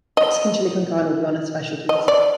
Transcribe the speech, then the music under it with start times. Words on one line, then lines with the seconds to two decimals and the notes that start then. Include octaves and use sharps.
Mexican chili con carne will be one of the specialties.
0.17 D#5
1.89 D#5
2.08 D5